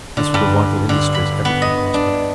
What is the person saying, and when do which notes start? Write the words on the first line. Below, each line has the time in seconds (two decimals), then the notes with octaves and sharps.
As for the vital industries, everything prospered.
0.17 D3
0.34 G2
0.89 D3
1.15 B5
1.45 B3
1.62 D#5
1.94 D4